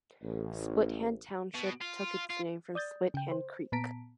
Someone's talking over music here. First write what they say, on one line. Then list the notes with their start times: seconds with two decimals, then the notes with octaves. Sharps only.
Splithand Township took its name from Split Hand Creek.
0.22 A1
1.54 B2
1.81 F4
2.30 F4
2.75 D5 D#6 G6 A6
3.14 C#3 G5
3.32 C5
3.72 A#2 B3 A5 A#5 B6 D7